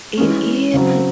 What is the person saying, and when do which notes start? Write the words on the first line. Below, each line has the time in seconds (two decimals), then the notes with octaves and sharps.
It is.
0.17 E3 G#3 C#4
0.74 C#3 F#3 C4